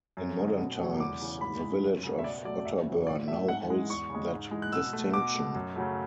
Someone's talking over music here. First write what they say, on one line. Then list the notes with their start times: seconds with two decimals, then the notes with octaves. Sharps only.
In modern times, the village of Otterburn now holds that distinction.
0.17 F#2
0.39 D3 G#3
0.59 B2
0.79 F#3 A3
1.00 E2 D6
1.21 C#3 E3
1.41 G#2 B5
1.62 E3 G#3
1.83 F#2
2.04 C#3 F#3 A3
2.19 E5
2.24 B2 D5
2.45 F#3 A3 D5
2.65 F#2 E5
2.86 C#3 F#3
3.07 A2 D5
3.28 F#3 A3 E5
3.48 G#2 F#5
3.69 E3 G#3
3.90 E2 C#6
4.10 C#3 G#3
4.31 G#2
4.51 E3 G#3
4.62 F#6
4.72 B2 E6
4.93 A3
5.14 B2 D6
5.34 A3
5.55 F#2
5.76 C#3 F#3 A3